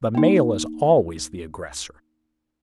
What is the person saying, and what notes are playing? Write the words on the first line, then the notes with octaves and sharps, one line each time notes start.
The male is always the aggressor.
A#3 D#4